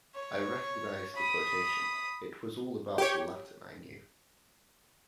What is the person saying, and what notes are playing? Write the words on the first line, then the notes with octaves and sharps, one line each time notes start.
I recognised the quotation: it was about all the Latin I knew.
C#5
B5 D#6
G4 C#5